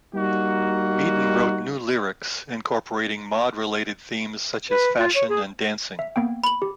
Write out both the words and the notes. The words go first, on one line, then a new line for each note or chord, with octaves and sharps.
Meaden wrote new lyrics, incorporating mod-related themes such as fashion and dancing.
G3 A#3 D#4 F#4
B4
F4
C#5
G#4
E5
A#3 B3 G5
B5 F#7
G4